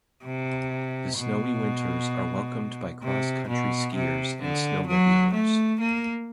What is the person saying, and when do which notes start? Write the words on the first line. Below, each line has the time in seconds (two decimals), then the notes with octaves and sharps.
The snowy winters are welcomed by cross-country skiers and snowmobilers.
0.24 C3
1.17 B2
3.02 C3
3.49 B2
3.96 C3
4.41 D3
4.87 F#3
5.34 A3
5.81 A#3